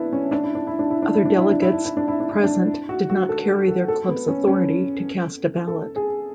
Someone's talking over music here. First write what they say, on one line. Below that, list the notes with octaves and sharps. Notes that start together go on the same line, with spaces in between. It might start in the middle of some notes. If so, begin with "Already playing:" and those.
Other delegates present did not carry their club's authority to cast a ballot.
Already playing: B3 D4 E4
C#4
D4
E4
D4
E4
D4
E4
D4
E4
D4
E4
D4
E4
D4
E4
D4
E4
D4
E4
D4
F#4
F#4
A4
A4
A4
B3
C#4
C#4
A4
G#4